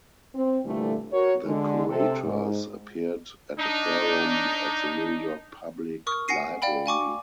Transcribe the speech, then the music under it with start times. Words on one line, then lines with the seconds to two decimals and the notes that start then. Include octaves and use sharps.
The curators appeared at a forum at the New York Public Library.
0.35 C4
0.64 A#2 D3 E3 G3 A3
1.12 F#4 A#4 C#5
1.45 D3 G#3
1.87 C3 A4
2.23 G#2
3.58 D4 D#4
6.07 A#4 C#6 D#6 F6
6.28 F#5 G#5 A#6 C7 D#7
6.62 D5 F5 G5 B5
6.86 F5 G#5 C#6 D6